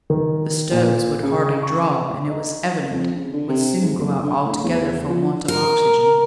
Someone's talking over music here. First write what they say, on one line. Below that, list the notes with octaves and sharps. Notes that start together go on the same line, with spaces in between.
The stoves would hardly draw, and it was evident would soon go out altogether for want of oxygen.
D#3
A#2
C#3
C#6
D#4
F2
C#3
D3
C3
G#2
F#1
D3
A2
E2
E2
F3
A#4